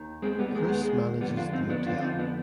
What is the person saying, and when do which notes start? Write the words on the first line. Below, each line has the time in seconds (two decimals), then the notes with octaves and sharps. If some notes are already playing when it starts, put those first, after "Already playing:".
Chris manages the motel.
Already playing: D#2 D#3
0.22 G#3 C4
0.39 G3 B3
0.55 D#2 D#3 G#3
0.69 B3
0.82 G#3
1.21 F2 D3 F3 G3 B3
1.37 D4 F4
1.53 C4 D#4
1.69 B3 D4
1.86 F2 D3 F3 D4 F4
1.98 F4
2.02 C4 D#4
2.19 B3 D4